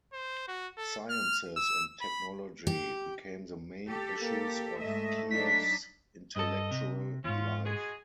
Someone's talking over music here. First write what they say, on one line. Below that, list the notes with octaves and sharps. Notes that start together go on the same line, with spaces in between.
Sciences and technology became the main issues of Kiev's intellectual life.
C5
F#4
A4
F6
E6
B5
G4
G4 A4
A#3
G#2 A3 D#5 E5
F#3 D4 D#4 B6
G2 A4 D#5
C3
D#2 G#2 C#4 F4
G#3 F#4 G#4